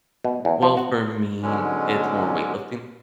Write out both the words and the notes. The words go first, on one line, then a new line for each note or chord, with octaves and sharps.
Well, for me, it's more weightlifting.
B2
E2
F3
F#4
G#2 B2 D3 F#3 G#3 C#4